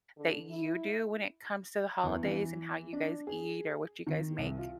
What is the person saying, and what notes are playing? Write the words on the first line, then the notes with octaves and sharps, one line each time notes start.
that you do when it comes to the holidays and how you guys eat or what you guys make?
D3
E4
E2
E3
D4
G#4
D#3
C2
F4